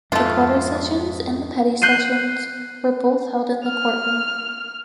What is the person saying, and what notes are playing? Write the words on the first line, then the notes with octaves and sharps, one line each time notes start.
The quarter sessions and the petty sessions were both held in the courtroom.
F2 G#2 A3 F4
F#6 G6 C7 D#7
F6